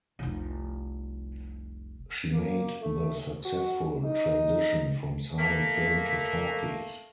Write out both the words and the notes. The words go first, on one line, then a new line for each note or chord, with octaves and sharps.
She made the successful transition from silent film to talkies.
F1 C2
A#3
A3
F#4
D#4
A3 A#3 B6